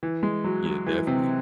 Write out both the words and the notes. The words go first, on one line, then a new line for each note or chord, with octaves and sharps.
Yeah, definitely.
E3
G#3
F#3
F#3
E3
C3